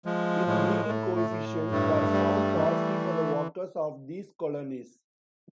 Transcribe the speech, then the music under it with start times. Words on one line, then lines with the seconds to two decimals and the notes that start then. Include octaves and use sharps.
Inbreeding coefficients were found positive for the workers of these colonies.
0.06 F3 G#3
0.47 A2 G#3
0.88 A2 A3
1.16 A3
1.30 A2
1.71 G2 A3
2.13 G3
2.55 E3